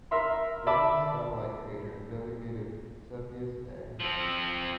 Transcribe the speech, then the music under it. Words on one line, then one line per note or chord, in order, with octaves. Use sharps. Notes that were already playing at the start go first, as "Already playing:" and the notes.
This is a satellite crater designated Cepheus A.
A#4 E5 C6
D5 E5 A5 B5 D6
F3 C4